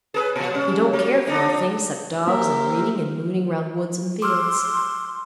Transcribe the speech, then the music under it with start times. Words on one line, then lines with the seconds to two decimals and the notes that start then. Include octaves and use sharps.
He don't care for a thing 'cept dogs and reading and mooning round woods and fields.
0.14 G#4 A#4 B4
0.36 A#2 F3
0.50 G3 C#4
0.93 F#3
1.27 F3 D4 D#4
2.27 A#3 G4 A#4 C5 E5
4.22 C6 D6 E6 F6